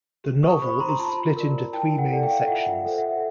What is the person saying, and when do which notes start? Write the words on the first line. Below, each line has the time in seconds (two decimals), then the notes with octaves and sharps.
The novel is split into three main sections.
0.24 G4
0.43 C#6 D#6
0.62 C5 B5 C#6
0.80 A#5 C6
0.99 F4 A5 B5
1.36 A#4 D5
1.73 E4 G5 A5
1.98 F#5 G#5
2.11 A4 D5
2.23 F5 G5
2.48 F4 E5 F#5
2.85 A4 C5
2.98 E5 F#5